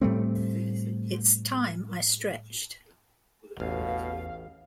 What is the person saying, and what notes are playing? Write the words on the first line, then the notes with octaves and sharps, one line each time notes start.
It's time I stretched.
A2 G3 A3 C4
A1 E2 B2 F5